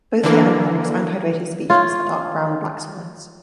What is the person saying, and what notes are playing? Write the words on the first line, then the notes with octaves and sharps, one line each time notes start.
Both the anhydrous and hydrated species are dark brown or black solids.
D3 E3 A#3
F4 C#5